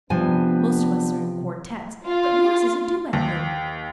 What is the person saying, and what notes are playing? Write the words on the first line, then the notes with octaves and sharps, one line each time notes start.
Most of us are in quartettes; but yours is a duet room.
C3 F3 B3 D4 B4 G#5
F4
D#2